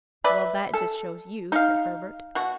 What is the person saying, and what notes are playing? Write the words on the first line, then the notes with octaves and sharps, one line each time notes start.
"Well, that just shows you," said Herbert.
B4 D5 E5
A4
D#4 F5
B2 F#4